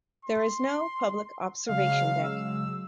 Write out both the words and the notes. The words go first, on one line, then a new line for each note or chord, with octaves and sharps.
There is no public observation deck.
C6
C#3 F#3 G#3 F5
E6